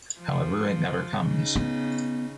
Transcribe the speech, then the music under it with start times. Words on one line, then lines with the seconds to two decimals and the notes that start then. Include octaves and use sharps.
However, it never comes.
0.20 F3
1.22 C#3 D#4
1.56 B3